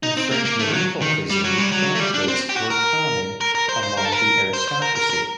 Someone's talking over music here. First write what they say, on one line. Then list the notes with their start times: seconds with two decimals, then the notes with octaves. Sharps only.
In French medieval cuisine, banquets were common among the aristocracy.
0.03 D#4
0.17 C4
0.31 A#3
0.45 A#3
0.59 A3
0.67 D#3
0.74 F#3
1.02 D#3
1.30 G3
1.44 F#3
1.58 G3
1.72 F#3
1.95 A3
2.00 G3
2.14 D4
2.28 C4
2.49 G4
2.56 F#4
2.70 A#4
3.41 A#4
3.55 A#4
3.69 C5
3.83 C5
3.97 A#4
4.05 A4
4.12 A#4
4.53 C5
4.68 C5
4.82 A#4
4.95 A#4
5.10 A#4